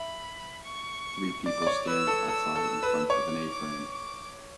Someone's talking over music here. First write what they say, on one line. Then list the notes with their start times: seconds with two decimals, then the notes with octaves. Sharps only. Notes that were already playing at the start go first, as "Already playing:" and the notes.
Three people stand outside in front of an Aframe.
Already playing: E5 B5
0.64 C#6
1.46 D5 D6
1.62 D5
1.67 C#5
1.87 B4 E6
2.07 A4
2.28 A4 E6
2.56 A4
2.83 B4
3.10 C#5 D6
3.51 D6
3.92 D6